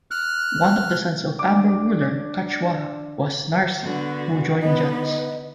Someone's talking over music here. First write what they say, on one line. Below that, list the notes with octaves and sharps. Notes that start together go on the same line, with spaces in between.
One of the sons of Amber ruler Kachwaha was Narsi who joined Jats.
F6 F#6
D4 D6
D3 B3 F#4
D3 B3 D#4 B4 D#5